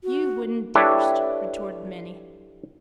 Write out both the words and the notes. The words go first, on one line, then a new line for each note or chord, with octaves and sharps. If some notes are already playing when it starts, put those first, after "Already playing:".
"You wouldn't darst," retorted Minnie.
F#4
D4 E4 G4 A4 B4 C#5